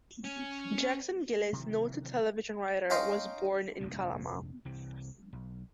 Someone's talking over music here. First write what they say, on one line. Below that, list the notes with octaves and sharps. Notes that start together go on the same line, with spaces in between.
Jackson Gillis, noted television writer, was born in Kalama.
C#4
C3 D#3 E3 F#3
C#4 D#4 F5 G5 A#5 C6
F1 A#1 G2 A#2
C2 C3 E3 C4
B1